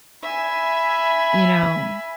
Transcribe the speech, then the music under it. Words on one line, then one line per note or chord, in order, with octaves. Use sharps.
You know?
E5 G#5 B5